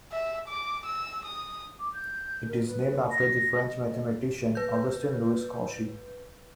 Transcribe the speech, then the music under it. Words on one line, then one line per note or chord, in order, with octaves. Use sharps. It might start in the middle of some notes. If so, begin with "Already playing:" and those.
It is named after the French mathematician Augustin Louis Cauchy.
E5
D6
E6
D#6
D6
G6
A#4
B4
A#6
D#5
B4 G6